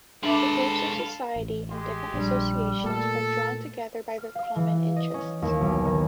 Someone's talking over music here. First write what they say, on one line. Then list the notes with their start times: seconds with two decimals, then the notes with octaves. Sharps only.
The groups of society in different associations are drawn together by their common interests.
0.23 G#3 D4 A4 B4 E5 F5 B5 D6
1.36 A1
1.70 G#3 G4 C6
2.14 A#1 G3 D4
2.84 A#2 A3 A#3 A4
4.18 F6
4.35 F5
4.56 E3
4.96 D#5
5.14 C#4
5.42 D#2
5.61 B1
5.85 D#3